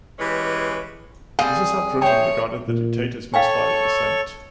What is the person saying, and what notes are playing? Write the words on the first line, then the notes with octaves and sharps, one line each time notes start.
This is how Drumann regarded the dictator's most likely descent.
E3 G#3 C#4 G4 B4
G3 C4 G#4 A4 F5
A3 C5 C#5 G5
A#2
A4 C#5 F5 G5 G#5 C#6